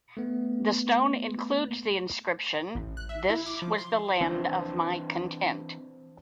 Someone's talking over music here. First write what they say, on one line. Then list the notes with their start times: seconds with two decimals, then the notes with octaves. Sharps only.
The stone includes the inscription "This was the land of my content".
0.17 A3 B3
2.75 A1
2.97 F#6
3.09 E5
3.30 E4
3.46 D6
3.62 F3
3.78 C6
4.20 E3 C4 D4